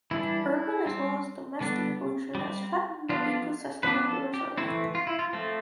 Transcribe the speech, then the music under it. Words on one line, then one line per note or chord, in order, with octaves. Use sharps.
Urban as well as domestic pollution has threatened the ecosystem of the reserve.
E3 G3 D4 E4
G3 C4
D3 G3 B3 D4
G3 C4
F3 B3 D4 F4
F3 B3 D4 B4
A4
G4
E3 A3 C4 E4
F4
E4
F4
F3 A3 C4